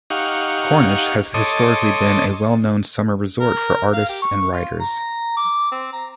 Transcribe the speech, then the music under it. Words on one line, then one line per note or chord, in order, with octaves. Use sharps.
Cornish has historically been a well-known summer resort for artists and writers.
D#4 G4 F5 F#5 C#6
A4 C#5 D#5 C6 D6 D#6
A#4
F5
G4
C#6
F4
A#5
D6
C4
A#5